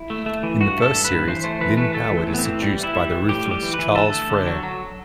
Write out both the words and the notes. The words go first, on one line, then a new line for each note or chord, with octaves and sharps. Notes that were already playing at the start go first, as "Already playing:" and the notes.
In the first series, Lynne Howard is seduced by the ruthless Charles Frere.
Already playing: E4
A3
A3
E3
G2 F#4
A3 A4
G2
B4
G2
E3 C5
A3 C5
E3 B4
A3 B4
A3 A4
E3
C4
A2
B3
C4
E3
G3
E3
E4
G3
E3
A2 G4
G3
G4
E3
E3 B4
D3 A4
A3
D3
F#3
F#3